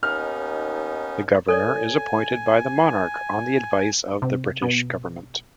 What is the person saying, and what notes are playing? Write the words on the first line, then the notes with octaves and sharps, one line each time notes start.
The Governor is appointed by the monarch on the advice of the British government.
D#2 B3 C#4 D#4 F6
A4 C#5 D5 G#5
C3
B2